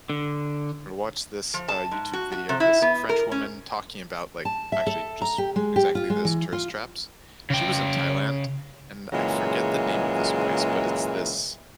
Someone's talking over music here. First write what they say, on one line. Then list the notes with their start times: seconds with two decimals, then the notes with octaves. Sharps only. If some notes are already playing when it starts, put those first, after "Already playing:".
I watched this, uh, YouTube video of this French woman talking about, like- actually, just exactly this- tourist traps. She was in Thailand, and I forget the name of this place, but it's this,
0.10 D3
1.54 F3
1.68 A5
1.91 G#2
2.13 F#4
2.32 F#4
2.49 C3
2.60 E4
2.82 B3
3.09 A#4
3.32 C#4
4.45 A5
4.72 E5
4.87 A4
5.22 A#5
5.38 G4
5.56 G#3
5.76 G4
5.95 F4
6.10 G#3
6.25 E3
6.53 F4
7.50 C#3 G5
9.12 A#2 C#3 E3 F#3 G#3